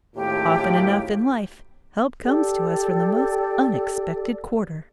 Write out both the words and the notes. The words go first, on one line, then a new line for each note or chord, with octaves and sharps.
Often enough in life help comes to us from the most unexpected quarter.'
G#1 D#2 A2 G4
G4 A4 D5